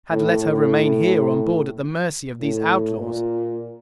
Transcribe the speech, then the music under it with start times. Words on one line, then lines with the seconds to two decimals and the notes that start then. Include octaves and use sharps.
Had let her remain here on board at the mercy of these outlaws.
0.10 A2
0.39 A2
2.41 A2
2.98 A#2